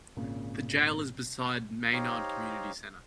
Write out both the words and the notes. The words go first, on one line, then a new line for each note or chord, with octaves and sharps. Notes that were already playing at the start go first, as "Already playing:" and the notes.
The jail is beside Maynard Community Center.
G#1 A#2 C#3
D#4 G4 C5 C#5 F5 A#5